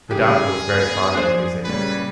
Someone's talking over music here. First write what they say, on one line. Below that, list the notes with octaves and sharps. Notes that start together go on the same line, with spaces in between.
The Doctor was very fond of music.
C#3 E3 G3 G4 G#4
B3
F3 D4 C5
A#2 C#3 G3 B4